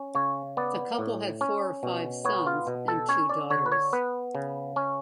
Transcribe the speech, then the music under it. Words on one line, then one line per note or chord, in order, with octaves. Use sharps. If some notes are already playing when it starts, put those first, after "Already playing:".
The couple had four or five sons and two daughters.
Already playing: C#4
C#3 C#5
B3 D5
A2
C#4
B2
B3 C#5
F4
B2
A4
C#4 C#5
D5
D3 C#5
B4
C#5
B3 B4
C#3
C#4